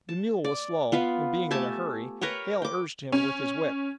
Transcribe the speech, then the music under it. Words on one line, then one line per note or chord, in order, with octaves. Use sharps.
The mule was slow and, being in a hurry, Hale urged him with his whip.
A5
D5
B3 F4 B4
A3 G4 G#5 A5
A#4 B4 C#5 G5
G5 D6
C#4